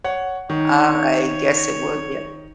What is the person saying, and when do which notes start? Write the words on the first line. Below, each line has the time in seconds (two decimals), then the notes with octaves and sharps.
I guess it would, yeah.
0.04 C#5 F#5
0.50 D#3 C#5